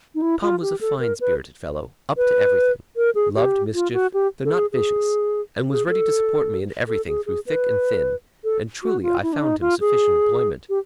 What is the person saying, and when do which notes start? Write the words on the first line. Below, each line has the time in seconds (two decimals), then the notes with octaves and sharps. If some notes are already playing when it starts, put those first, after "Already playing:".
Tom was a fine spirited fellow, up to everything; loved mischief, though not vicious; and was ready to support me in everything through thick and thin; and truly I found him sufficient employment.
0.15 D#4
0.22 E4
0.42 F4
0.62 G4
0.81 A4
1.00 A#4
1.21 B4
2.17 B4
2.97 A#4
3.15 G#4
3.36 G4
3.74 F4
3.93 F#4
4.14 G4
4.45 A4
4.53 G#4
4.72 G#4
5.70 G#4
5.89 A4
6.88 A4
7.07 G#4
7.26 G#4
7.47 B4
8.44 A4
8.83 F#4
9.03 F4
9.22 E4
9.33 D4
9.42 D#4
9.61 F4
9.81 G#4
10.69 G4